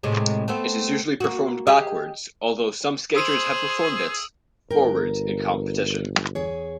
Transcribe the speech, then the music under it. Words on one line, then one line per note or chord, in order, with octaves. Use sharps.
It is usually performed backwards, although some skaters have performed it forwards in competition.
A2 C3 G#3
A3 B3 C4
A#3 F#4
G4 G#4 D#5
G#4 C5 D#6 E6 D#7
G1 A#4 G5
E2 G#4 C#5